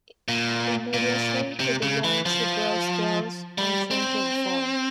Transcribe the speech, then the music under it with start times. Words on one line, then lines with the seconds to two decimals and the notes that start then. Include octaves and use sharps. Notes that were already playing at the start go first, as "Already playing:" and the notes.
Immediately he began to grow scales and change in form.
0.28 A#2
0.94 A#2
1.60 C3
1.82 C#3
2.04 E3
2.26 F3
3.58 G3
3.91 C4